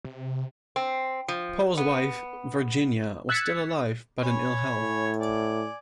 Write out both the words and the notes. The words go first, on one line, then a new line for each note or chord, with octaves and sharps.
Poe's wife, Virginia, was still alive, but in ill health.
C3
C4
F3
B3
E6 F#6 G#6 A6 B6 C#7
C#5 G#5 B5
A2
D5 G#5